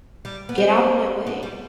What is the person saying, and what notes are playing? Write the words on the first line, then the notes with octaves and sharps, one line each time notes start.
Get out of my way!
G3
B3
C4
B3
G3